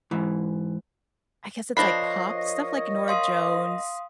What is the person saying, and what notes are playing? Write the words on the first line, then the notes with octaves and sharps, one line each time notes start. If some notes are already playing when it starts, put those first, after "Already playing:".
I guess it's like pop stuff like Norah Jones,
G#2 E3
F3 D4 A#4 C#5 D#5 B5 A#6 C7
F5 C6 D#6